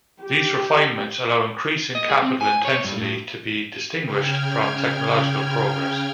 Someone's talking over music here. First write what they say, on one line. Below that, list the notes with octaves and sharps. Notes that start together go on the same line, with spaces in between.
These refinements allow increasing capital intensity to be distinguished from technological progress.
G4
D#5
G#4
C4
G#5
C#5
G2
A2
C#3 G5 F6 G#6